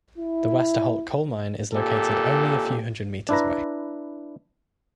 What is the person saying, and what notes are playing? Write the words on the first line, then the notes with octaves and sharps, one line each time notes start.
The Westerholt coal mine is located only a few hundred metres away.
E4
G#1 A#2 G4 A4
D4 E4 B4 A#5